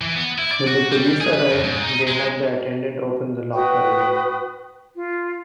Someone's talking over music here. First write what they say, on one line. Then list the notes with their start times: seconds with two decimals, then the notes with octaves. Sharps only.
When the police arrived they had the attendant open the locker again.
0.01 E3
0.16 B3
0.38 E4
0.52 D5
0.67 F#4
0.91 G3
1.21 G#4
1.33 B4
1.51 F2
1.63 G#2
1.83 D#4
2.07 G#3
3.54 F#4 B4 G5 D#6
4.95 F4